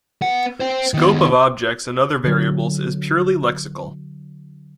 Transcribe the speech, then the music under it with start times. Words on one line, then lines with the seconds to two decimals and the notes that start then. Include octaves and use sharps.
Scope of objects and other variables is purely lexical.
0.22 B3 F#5
0.60 C5 G5
0.94 D#3 B3
2.24 D3 F#3